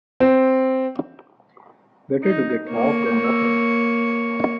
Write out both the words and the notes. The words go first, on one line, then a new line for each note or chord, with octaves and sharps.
Better to get half than nothing.
C4
D#4
A#3 C#5